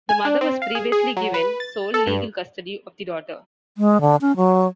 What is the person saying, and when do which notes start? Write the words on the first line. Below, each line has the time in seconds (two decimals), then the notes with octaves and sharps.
The mother was previously given sole legal custody of the daughter.
0.09 G#5
0.25 D4
0.41 C4
0.62 F5
0.75 G#4
0.92 G#4
1.17 F#3
1.34 B4
1.60 A6
1.94 A4
2.07 G2
3.78 G#3
4.01 D3
4.21 C#4
4.37 F#3